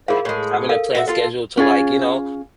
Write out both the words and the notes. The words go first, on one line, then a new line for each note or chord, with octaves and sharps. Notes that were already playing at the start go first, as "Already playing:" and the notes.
Ha having a planned schedule to, like, you know,
F3 E4 G#4 A#4 F5
A2 G#3
A4 A#4 F5
F#4 B4 E5
F4 A4
C#4 F4 G#4